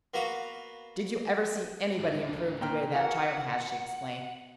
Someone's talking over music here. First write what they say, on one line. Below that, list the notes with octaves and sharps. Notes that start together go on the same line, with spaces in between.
"Did you ever see anybody improve the way that child has!" she exclaimed.
A#3 B3 F#4 F5
A3 D4 D#5
A#2 G5 F6
E3 F#4 A#4 F5 F#5